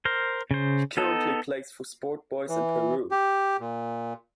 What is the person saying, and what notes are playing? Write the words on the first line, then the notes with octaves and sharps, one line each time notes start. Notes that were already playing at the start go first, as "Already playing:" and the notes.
He currently plays for Sport Boys in Peru.
A#4 C5
C#3 C5
B3 D#4 A4
E3
G4
A#2